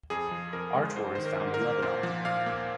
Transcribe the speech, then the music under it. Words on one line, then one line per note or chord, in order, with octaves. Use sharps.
Artur is found in Lebanon.
F2 G#4
F3
F2 A#4
G#3
G#2 C5
D#3 C5
A#4
G#2
A#4
A#3
A#2 C5
F3
A#2 F5
A#3